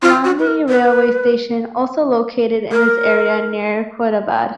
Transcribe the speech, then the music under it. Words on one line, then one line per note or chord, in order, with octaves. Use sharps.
Landhi railway station also located in this area near Quaidabad.
F4
F#4
B4
A#4
B4
A#4